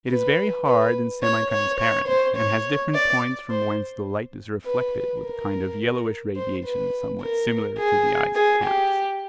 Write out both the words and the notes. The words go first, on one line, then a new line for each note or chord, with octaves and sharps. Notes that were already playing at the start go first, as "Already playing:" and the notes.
It is very hard and semi-transparent, and has different points from whence the light is reflected with a kind of yellowish radiation somewhat similar to the eyes of cats.
B4
B4
C#5
C#5
C#5
C5
C#5
D5
C5
B4
A#4
C5
B4
A#4
G#4
G#4
G4